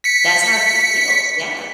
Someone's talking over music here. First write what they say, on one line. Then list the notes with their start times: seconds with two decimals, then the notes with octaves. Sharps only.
That's how he feels. Yeah.
0.04 B6 C#7